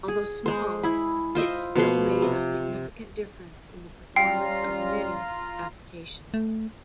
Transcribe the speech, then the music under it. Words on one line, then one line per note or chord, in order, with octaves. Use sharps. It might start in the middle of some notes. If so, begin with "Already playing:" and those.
Although small, it still made a significant difference in the performance of many applications.
G#4
G#3 C5
E4 G#4 B5
F4 C5 D#5 E5
B2 F3 B4 C6
C3
G3 C#4 F4 G5 A#5 C7
A3